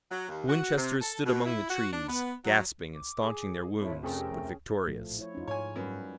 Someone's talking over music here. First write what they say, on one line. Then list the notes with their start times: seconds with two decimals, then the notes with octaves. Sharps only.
The Winchesters stood among the trees, gasping and staunching their wounds, but victorious.
0.11 F#3
0.28 D#2
0.48 F#4
0.76 C3
1.01 A4
1.25 B2
1.46 E4
1.70 F#4
1.92 D4
2.07 B3
2.44 F#3
2.95 D6
3.22 G#4
3.81 G#1 E4 A4 C#5
4.03 F2 C3 A3 C#4 G#4 A#4 G5
4.87 A#1 A2 F3 A3
5.19 E4 C#5
5.35 F2 C#4 D#4 F4
5.48 G#2 C#5 G#5
5.76 F#2 G3 B4